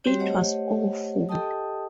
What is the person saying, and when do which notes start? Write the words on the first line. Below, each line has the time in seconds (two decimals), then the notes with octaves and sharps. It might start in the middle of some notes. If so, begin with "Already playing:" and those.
It was awful.
0.04 G3 C4 F#4 G4 C#5
0.19 A3 G4 C5 C#5 D#5 F#5
1.29 G4 A4 D#5 G5 A5 D#6